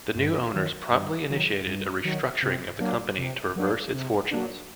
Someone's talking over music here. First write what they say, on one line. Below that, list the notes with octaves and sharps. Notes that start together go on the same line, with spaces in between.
The new owners promptly initiated a restructuring of the company to reverse its fortunes.
G2
D#3 F#3
G2
D#3 F#3
G2
D#3 F#3
C3
F#3 A#3 D4
C3
F#3 A#3 D4
C3
F#3 A#3 D4